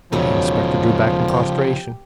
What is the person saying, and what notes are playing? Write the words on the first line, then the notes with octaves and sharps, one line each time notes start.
The inspector drew back in consternation.
E1 C#3 F3 F#3 D#4 A4 C#5
G4